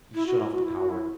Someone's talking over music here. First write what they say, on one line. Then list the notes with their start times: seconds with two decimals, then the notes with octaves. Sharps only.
He shut off the power.
0.14 E4
0.26 F#4
0.39 E4
0.52 F#4
0.63 E4
0.76 F#4
0.89 E4